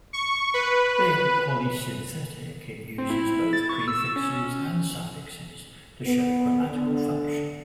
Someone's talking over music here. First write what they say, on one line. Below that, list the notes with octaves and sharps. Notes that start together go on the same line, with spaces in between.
Being polysynthetic, it uses both prefixes and suffixes to show grammatical function.
C#6
B4
C4
E4
A6
C#6
E6
C#4
B3
D3